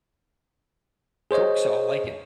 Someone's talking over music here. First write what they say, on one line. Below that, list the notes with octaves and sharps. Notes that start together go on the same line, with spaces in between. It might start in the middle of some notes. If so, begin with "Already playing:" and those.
Folks all like it.
G#4 C5 C#5 D#5